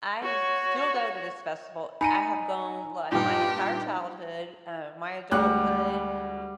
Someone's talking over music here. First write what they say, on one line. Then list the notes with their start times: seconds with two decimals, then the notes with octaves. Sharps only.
I still go to this festival. I have gone, like, my entire childhood, um, my adulthood,
0.23 F#4 C#5
2.01 D#4 G#5 A#5 B5 C#7 D#7
3.12 G2 A#2 D#4 G4
5.31 D2 G3 G#3 F#5 F#6